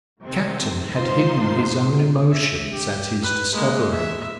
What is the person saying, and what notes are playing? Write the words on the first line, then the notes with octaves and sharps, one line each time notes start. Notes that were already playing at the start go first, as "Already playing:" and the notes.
The captain had hidden his own emotions at his discovery.
C3 D#3 C4
C#2 D#3 D#4 F4 C5 C6
E5
G4
B4
G#3 A#3
E5